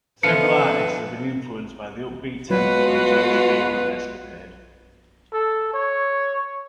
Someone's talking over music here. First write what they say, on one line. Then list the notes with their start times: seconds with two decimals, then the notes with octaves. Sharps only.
Several artists have been influenced by the upbeat tempo and joyous feel of "Escapade".
0.23 B2 F3 D4 E4 F4 A4 B4 C#7
2.50 B2 F#3 G#3 F4 F#4 B4
5.33 A4
5.74 C#5